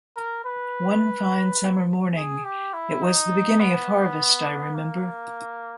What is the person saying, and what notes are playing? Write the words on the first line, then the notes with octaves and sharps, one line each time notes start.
One fine summer morning — it was the beginning of harvest, I remember.
A#4
B4
G#4
G4
E4
D#4
B3
A#3